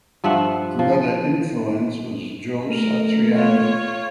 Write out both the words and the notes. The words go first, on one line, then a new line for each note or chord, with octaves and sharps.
Another influence was Joe Satriani.
G2 F3 E5 F#5
F3
A3 A#4
F4 C#5